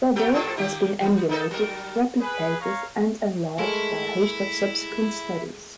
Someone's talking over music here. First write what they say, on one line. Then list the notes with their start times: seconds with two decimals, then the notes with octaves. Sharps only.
Their work has been emulated, replicated, and enlarged by a host of subsequent studies.
0.16 F#3 A3 G4
0.32 A2 F3 A4
0.56 D#3 A#3 G4
1.01 E3
1.29 A#3 D#4 A4
1.51 F#3 A#4
2.20 G#4 B4
2.60 C#5 F5 A#5
3.58 G#3 A3 E4 A#4